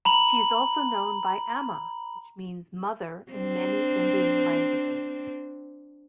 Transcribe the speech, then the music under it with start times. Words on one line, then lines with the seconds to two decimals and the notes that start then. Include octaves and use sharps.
She is also known by Amma, which means 'Mother' in many Indian languages.
0.05 A#5 B5 F#7
3.32 C4 D4